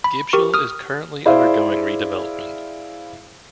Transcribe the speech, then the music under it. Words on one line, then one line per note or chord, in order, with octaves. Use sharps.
Gibshill is currently undergoing redevelopment.
B5
G4 A#4 C#6
D#6 F6
E4 G#4 C5 D5 E5 F5